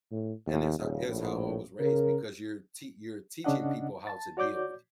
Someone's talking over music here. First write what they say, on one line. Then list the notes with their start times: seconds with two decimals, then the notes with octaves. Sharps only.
And it's ho it's how I was raised because you're tea you're teaching people how to deal with you.
0.11 A2
0.47 D#2
0.79 D#1 C#3
1.08 A#1 A2
1.80 C#3 A#4
3.44 C#3 C#4 D4 D#5 F#5
4.07 A5 A6
4.37 F#4 C#5 D5 D6 G6